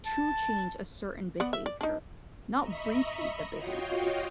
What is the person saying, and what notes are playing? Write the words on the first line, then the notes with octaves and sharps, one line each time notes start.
to change a certain behavior, not repeat the behavior.
A5
B3 D5 F#5
E5
D5
D4 D#4
D#5 E5 A#5 B5 C#6
F4 F#4 C#5 D#5 F5 G5